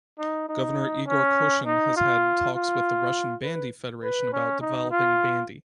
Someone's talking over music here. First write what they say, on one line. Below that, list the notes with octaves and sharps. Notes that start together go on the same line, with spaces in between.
Governor Igor Koshin has had talks with the Russian Bandy Federation about developing bandy.
D#4
D#4
C#4
D#4
F4
F4
B4
B4
C#4
D#4
F4